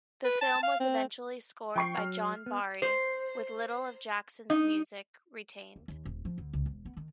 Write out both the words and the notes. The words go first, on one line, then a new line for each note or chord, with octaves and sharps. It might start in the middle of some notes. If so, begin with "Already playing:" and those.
The film was eventually scored by John Barry, with little of Jackson's music retained.
B4
A5
F5
C4
F3 G5 C#6 C7
F#3 F6
B3
C5
D#4
D#2
D#2
D#1
F3
D2
C#2
E1
B3
D#3